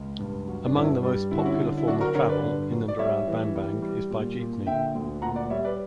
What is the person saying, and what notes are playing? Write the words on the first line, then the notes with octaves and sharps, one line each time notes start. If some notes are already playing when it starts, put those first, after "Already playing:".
Among the most popular form of travel in and around Bambang is by jeepney.
Already playing: C#2
G2
F#3
D4
G2 C#4 E4
G3
D3 E4
F#4
C#4 E4
D3
E4
F#3 D4 F#4
F#4 A#4
D3 A#4 C#5
B4 D5
G2
F#3
D5
G3 C#5 E5
E3
G3
G3
A#2
A#2
D3 E5 G5
D2
A#2 F#5 A#5
D5 F#5
G3 C#5 E5
B4 D5